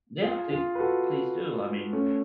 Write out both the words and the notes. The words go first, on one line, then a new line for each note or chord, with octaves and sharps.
Yeah, please please do. I mean
F4 G#4
F4 G#4
B4
F#4 A4
A3 C#4